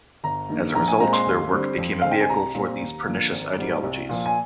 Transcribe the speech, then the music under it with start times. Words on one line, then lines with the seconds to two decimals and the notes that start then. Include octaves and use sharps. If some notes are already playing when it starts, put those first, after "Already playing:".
As a result, their work became a vehicle for these pernicious ideologies.
0.24 G1 A#5
0.49 G2 D#3 A#3
0.74 A#1 A#5
0.88 G#5
1.00 A#2 G#3 C4 A#5
1.13 C6
1.26 D#2
1.52 D3 G3 C4
1.78 F2
2.01 D3 G#3 C4 F5
2.11 G5
2.20 G#5
2.29 C2 A#5
2.55 A#2 G3 C4
2.81 D#2
3.06 D3 F3 A#3
3.32 G#1
3.57 G#2 G3
3.83 C2
4.09 A#2 F3 A#3
4.26 G#5